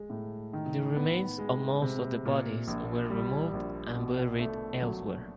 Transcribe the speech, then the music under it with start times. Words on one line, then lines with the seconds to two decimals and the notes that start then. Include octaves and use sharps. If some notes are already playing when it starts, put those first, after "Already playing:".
The remains of most of the bodies were removed and buried elsewhere.
Already playing: G#3
0.10 A2
0.53 D#3
0.96 B3
1.39 G#3
1.82 C3
2.25 A#2
2.68 A#1
3.10 G3
3.54 A#1
3.96 B2
4.40 A3
4.82 F#3